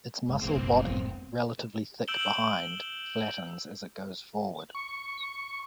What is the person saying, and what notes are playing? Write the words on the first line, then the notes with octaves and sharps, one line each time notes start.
Its muscle body, relatively thick behind, flattens as it goes forward.
G1 G#3
A#1 C3 A#3 C4
F#1 B1 G2
C2 G2
B1 F2 A2 B3
E6 G6 D7 E7 F#7 G7
C#6